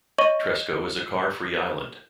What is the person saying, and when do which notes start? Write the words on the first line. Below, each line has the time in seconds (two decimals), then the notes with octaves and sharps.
Tresco is a car-free island.
0.18 C#5 D#5 C#6 A#6 D#7 F#7